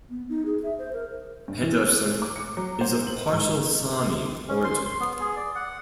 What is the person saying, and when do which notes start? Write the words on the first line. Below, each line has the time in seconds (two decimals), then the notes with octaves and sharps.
Pedersen is of partial Sami origin.
0.10 B3
0.29 D#4
0.46 G#4
0.63 E5
0.78 C5
0.93 A#4
1.48 G2
1.61 E3
1.81 F#6
2.22 D6
2.36 C#7
2.57 F#3
2.81 C5
3.07 F#7
3.21 B4
3.33 G#2
4.48 C#4
4.64 C6
4.85 C6
5.00 B3
5.20 G#4
5.37 D5
5.55 F#5